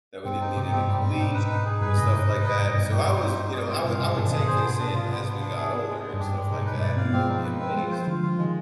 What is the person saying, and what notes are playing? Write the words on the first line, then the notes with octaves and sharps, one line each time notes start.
that we didn't need any police and stuff like that, so, I was, y you know, I would I would take this in as we got older and stuff like that and and be amazed.
G2 B2 C4
D#4
G#2 C3 G4
G2 B2 C4
G#2 C3 G3
G#2 C4
B2 D#4
G#2
B4
D#4
G#4
G2 B4
G#2 C3 D#5
D#4
B4
D#5
G2 D#4
G#2
G2 B2 D#4
G4
C5
D#4
D#4
G#4
G#2 C5
G2 B2 F5
C3
G2 B2 G#3
G#2 C3 D4
D#3
B2 D3 G#4
C5
B3
D4
G#2 C3 F4
B3
B3
D4
G#4
B3
G#3
D4
G2
G#2 G4
G#2 G#3
B2 D#4
G#2 B4
G2 B2
D5
C4 F5
B3
F3 G#3 C4
D#4
B4
C4
F3 G#3 F4
C5
D3 F3 F5
D3 F3 F4
C3 D#3 G#3